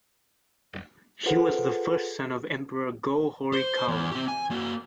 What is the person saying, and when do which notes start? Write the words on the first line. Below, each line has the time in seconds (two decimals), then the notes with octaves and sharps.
He was the first son of Emperor Go-Horikawa.
1.26 F4 G#4 A4 B4 C5 F#5
3.53 C5
3.88 E2
4.11 C4 G4
4.28 G#5
4.51 A#3 F#4